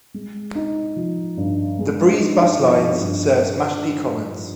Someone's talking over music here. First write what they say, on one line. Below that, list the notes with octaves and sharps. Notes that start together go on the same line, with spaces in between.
The Breeze bus lines serves Mashpee Commons.
G#3
D#4
F3
G2
G#3
D#4
F3
G2